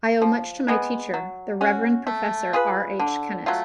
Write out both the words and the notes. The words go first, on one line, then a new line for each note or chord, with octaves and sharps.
I owe much to my teacher, the Reverend Professor R. H. Kennett.
F3
G#3 B3
F#3
C#4 F#4
A3
F4 G#4 B4
D3
F#3 A3 F4